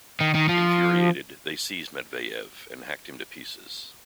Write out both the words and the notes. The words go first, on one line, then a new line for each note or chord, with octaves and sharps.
Infuriated, they seized Matveyev and hacked him to pieces.
D#3
D#3
F3